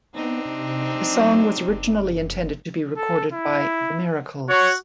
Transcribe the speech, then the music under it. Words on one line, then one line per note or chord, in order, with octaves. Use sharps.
The song was originally intended to be recorded by The Miracles.
B3 C4 D4 D#4
C3
F#3
F#1
A4
E4
F#4 C#5